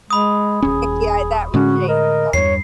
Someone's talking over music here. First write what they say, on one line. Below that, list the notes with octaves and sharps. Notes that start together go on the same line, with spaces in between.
yeah, that would change, but
G#3 B5 D#6
D#1 C#4 G#4
A2 D3 G#3 C#4 F#4
A#4 D#5
E2 G2 C#5 C7